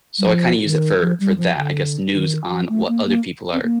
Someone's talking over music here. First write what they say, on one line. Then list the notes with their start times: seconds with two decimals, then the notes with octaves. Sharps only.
so I kinda use it for for that, I guess, news on what other people are
0.19 G3
0.26 F3
0.64 D#3
1.00 F3
1.20 G3
1.38 F3
1.57 D3
2.12 D#3
2.50 F3
2.69 A3
2.88 A#3
3.06 A#3
3.53 C4
3.62 A#3